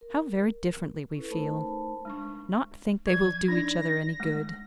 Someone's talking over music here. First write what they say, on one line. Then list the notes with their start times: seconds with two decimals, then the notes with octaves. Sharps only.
How very differently we feel!--Not think they will do each other any good!
0.01 A#4
1.15 C#4 E4 A4 B4
1.30 A3 D#4 A#4 C5 A5 B5
2.05 G#3 D4 C#6
3.07 F3 G#6
3.48 D4 D#4 D5 A#6
4.20 G#3 A3